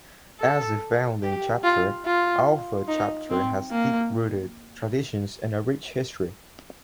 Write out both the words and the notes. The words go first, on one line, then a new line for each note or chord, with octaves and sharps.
As the founding chapter, Alpha Chapter has deep rooted traditions and a rich history.
A4
G4
F4
F4
D#4
C4
A#3